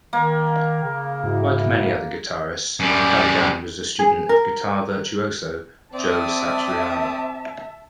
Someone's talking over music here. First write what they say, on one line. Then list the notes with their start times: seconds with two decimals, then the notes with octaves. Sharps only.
Like many other guitarists, Cadogan was a student of guitar virtuoso Joe Satriani.
0.13 D#3 A#3
0.84 C#3
1.24 G#2 E4 F#4
2.80 F#2 G3
3.99 G#4
4.29 A#4
5.93 C4 D5 E5 A5 D#6